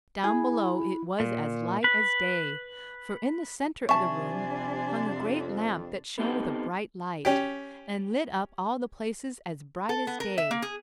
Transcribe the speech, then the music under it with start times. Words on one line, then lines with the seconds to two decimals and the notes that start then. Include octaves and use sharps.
Down below it was as light as day, for in the centre of the room hung a great lamp that shone with a bright light and lit up all the place as bright as day.
0.24 E4 G#4
1.20 A#2
1.84 B4
3.89 C3 F3 G3 D4 E5 G#5 A5 C#6
5.09 F2
6.18 B3 C4 D#4 G4 A4
7.25 C#4 G4
9.89 A4
10.07 B3
10.20 A#4
10.38 E5
10.51 A#3
10.62 G#4